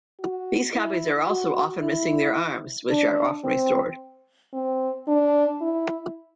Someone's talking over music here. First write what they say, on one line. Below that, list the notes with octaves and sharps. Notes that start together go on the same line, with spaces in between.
These copies are also often missing their arms, which are often restored.
F#4
E4
F#4
E4
D4
C4
C4
D4
E4